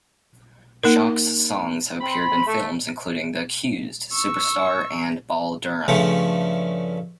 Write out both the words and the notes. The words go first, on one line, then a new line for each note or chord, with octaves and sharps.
Schock's songs have appeared in films including "The Accused", "Superstar", and "Bull Durham".
A#3 D#4 A#4
C4 B5
A3
C#6 E6
G2 C#3 F3 A3